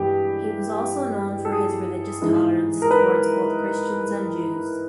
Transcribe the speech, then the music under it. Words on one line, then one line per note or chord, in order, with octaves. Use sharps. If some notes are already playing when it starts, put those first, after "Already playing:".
He was also known for his religious tolerance, towards both Christians and Jews.
Already playing: G2 E3 G#3 G4
A4
G#4
G#2 E3 G#3
A#4
B4